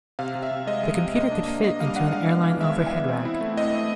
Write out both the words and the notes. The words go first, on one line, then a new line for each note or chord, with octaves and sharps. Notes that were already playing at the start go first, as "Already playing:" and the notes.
The computer could fit into an airline overhead rack.
C3 F5
C3
E5
C3
G#3 D#5
G#3
C3
A#3 D#5
D4
A#3
A#3 D#5
G3 F5
D4 F#5
G#3 F5
B3
E3
G#3 E5
E3
B3
C4
E4
A3
C4 D#5
A3